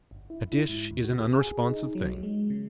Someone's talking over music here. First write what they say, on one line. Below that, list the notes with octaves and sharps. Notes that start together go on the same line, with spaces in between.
A dish is an unresponsive thing.
G1
E4
E4
G#2
D2
F#4
G#4
G#4
D#4
F#3
G#3
C#3